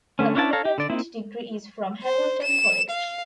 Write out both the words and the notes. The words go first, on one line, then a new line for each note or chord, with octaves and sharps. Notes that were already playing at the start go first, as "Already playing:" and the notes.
Her undergraduate degree is from Hamilton College.
D3 A3 C#4
C#4 D4 E4 D5 A5
A4 C#5 F5 A#5
G4
D3 D5
A#3 C4 D#4 E4
C5
E7
F5